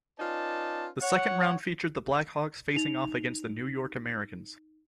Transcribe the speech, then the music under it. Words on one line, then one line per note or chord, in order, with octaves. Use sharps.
The second round featured the Black Hawks facing off against the New York Americans.
C#4 D#4 F4 B4 D5 A5
C#5 F#5
D#4 F7